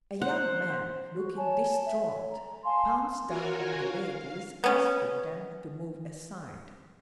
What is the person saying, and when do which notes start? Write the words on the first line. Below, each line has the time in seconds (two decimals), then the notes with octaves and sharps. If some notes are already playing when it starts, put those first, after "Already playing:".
A young man, looking distraught, pounced down on the ladies, asking them to move aside.
0.21 C5 F#5
1.14 F#4
1.36 C#5 G#5 A5
1.86 E5
2.13 A4 C#5
2.32 A#5
2.64 F5 G#5 A5 C6
3.27 F4 F#4 A#4 C#5 G#5
3.86 F5
4.64 B3 C#4